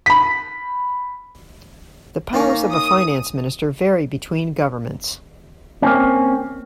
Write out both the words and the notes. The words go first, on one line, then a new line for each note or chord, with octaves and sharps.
The powers of a finance minister vary between governments.
B5 B6
D#3 A#3 C#4
D#6
A#3 C4 C#4